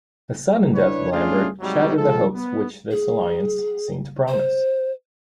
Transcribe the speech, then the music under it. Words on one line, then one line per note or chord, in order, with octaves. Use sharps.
The sudden death of Lambert shattered the hopes which this alliance seemed to promise.
D4 E4 B4 C#5
A3 C#4 D4 F4 G#4
G#2 C3 F#3 G3
F3 G#3 A4
B3
G#4
C5